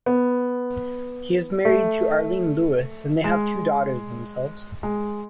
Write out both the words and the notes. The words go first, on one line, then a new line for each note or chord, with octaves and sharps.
He is married to Arlene Lewis and they have two daughters themselves.
B3
A3
G#3
G#3